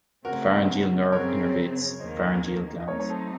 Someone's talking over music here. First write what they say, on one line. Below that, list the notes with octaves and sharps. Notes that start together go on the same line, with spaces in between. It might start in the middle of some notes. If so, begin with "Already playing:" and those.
The pharyngeal nerve innervates pharyngeal glands.
C#3 A3 C4 F#4 A#4
D#5
F#2 C#3 F#3 C4 A#4 C#5
D#2 D#3 A#3 C5 D#5
D#5
F#3 A3 C4 D#4 A#4 C#5
C#5
A4 C5